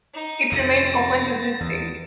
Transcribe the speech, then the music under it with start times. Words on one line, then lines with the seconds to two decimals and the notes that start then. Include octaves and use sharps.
It remains open to this day.
0.14 D#4
0.52 F2 C3 F3 A6 A#6
1.61 E2